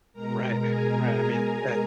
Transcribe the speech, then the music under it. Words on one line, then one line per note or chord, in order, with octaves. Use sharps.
Right, right. I mean, at
B2 G#3 A#4 A#5
G#4 G#5